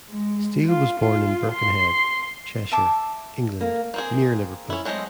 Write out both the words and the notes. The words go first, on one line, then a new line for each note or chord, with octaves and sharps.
Steele was born in Birkenhead, Cheshire, England, near Liverpool.
G#3
F4
F4
C6
E5 A5 D6
A#3
A#3 C4 G#4
C#4 E4
F#3 G#3 A3 C4 D#5